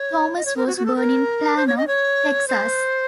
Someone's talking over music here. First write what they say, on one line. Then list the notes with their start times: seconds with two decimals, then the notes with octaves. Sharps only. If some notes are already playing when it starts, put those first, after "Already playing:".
Thomas was born in Plano, Texas.
Already playing: C#5
0.36 D#5
0.46 C#5
0.56 A#4
0.67 F#4
0.77 F#4
0.86 A4
0.96 A#4
1.56 C5
1.67 C#5
1.77 D#5
1.87 C#5
2.48 C5